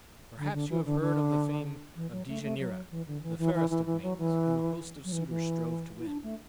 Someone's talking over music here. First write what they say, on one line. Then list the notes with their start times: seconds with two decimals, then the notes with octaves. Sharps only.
Perhaps you have heard of the fame of Dejanira, the fairest of maidens, whom a host of suitors strove to win.
0.37 D3
0.54 D3
0.70 E3
0.85 D3
1.01 D3
1.96 E3
2.12 F#3
2.28 A3
2.43 A3
2.59 F#3
2.91 E3
3.07 D3
3.23 E3
3.39 E3
3.55 E3
3.70 E3
3.86 E3
4.02 F#3
4.18 E3
5.04 F#3
5.12 E3
5.29 E3
5.99 E4
6.07 D4
6.23 A3